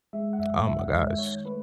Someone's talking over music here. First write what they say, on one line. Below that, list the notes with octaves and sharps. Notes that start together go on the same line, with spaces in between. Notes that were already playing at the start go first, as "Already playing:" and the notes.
Oh my gosh.
G#3 E5
F#5
F#2 E5
D#3 E5
F#5
G#3 F#5
E5
D#3 C#5
A3 B4